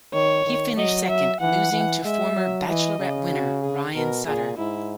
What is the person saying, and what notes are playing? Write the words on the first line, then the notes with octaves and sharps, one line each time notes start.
He finished second, losing to former "Bachelorette" winner Ryan Sutter.
D#3 C#5
D#3
F#3 D#5
E5
E3 F#5
E3
G#3 E5
F#3
E3 D#5
C#3
F#4
G#4
B2 A#4
A#2 G#4
G#2 E4